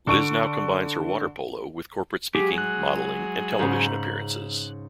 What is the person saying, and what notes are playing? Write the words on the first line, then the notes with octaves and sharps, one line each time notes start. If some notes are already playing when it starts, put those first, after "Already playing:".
Liz now combines her water polo with corporate speaking, modelling and television appearances.
D3 C#6 D7
F#3 G#3 G4 G#4
F#6
G#2 C#3